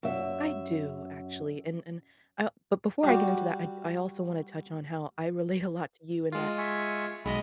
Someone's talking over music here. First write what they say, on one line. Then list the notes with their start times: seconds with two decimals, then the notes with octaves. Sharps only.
I do, actually, and and I but before I get into that, I I also wanna touch on how I relate a lot to you in that
0.03 F#2 E5
3.03 G3 F#4
6.32 G#3 F4
6.58 E5 G#5 C#6
7.25 B1 G#3 D#5 B5